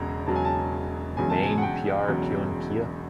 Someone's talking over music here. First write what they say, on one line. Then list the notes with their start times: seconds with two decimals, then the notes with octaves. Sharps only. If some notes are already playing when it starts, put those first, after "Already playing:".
Maine Pyaar Kyun Kiya?
Already playing: E1 E2 C#3 F#3 A#5
0.26 E1 E2 C#3 F#3 A5
0.36 G#5
0.45 A5
1.17 E1 E2 C#3 F#3 G#5
1.30 A5
1.43 G#5
1.58 F#5
1.62 G5
2.07 E1 E2 C#3 F#3